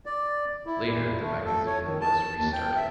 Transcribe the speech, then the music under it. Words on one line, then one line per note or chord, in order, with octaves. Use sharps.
Later the magazine was restarted.
D5
E4
A#2
A3
A4
C#5
D#3
A5
D#2
G5
E5